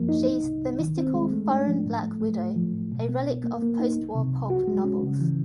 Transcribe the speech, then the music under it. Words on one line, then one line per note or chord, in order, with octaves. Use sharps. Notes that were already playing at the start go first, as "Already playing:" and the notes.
She's the mystical, foreign black widow, a relic of postwar pulp novels.
Already playing: F#2 F3 A#3
D#4
C2
C2
C2
D#3
C4
G#3
A3
D4
F3
A2
A3
A3
A2
F3
A2
B2
B3
C2
A#3
A#3
D#4
C2
C3
C2
F#4
G#3
C#4
C#3
E3